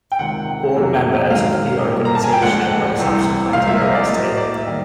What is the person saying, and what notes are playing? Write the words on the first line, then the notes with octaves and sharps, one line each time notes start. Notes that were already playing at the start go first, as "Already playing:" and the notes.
All members of the organization were subsequently arrested.
G5
C#2 C3 D#3 F#5
F2 C3 D#3 F#3 A#3
G#2 D#3 F#3 F5
A#2 G3 A#3
A#5
A5
G#5
G5
D2 D3 F3 G#3 F#5
C2 C3 E3 G3
C2 C3 F3 G#3 F5
E5
D#5
D5
A2 F#3 A#3 D#5
D5
E5
D#3 G3 A#3 D#5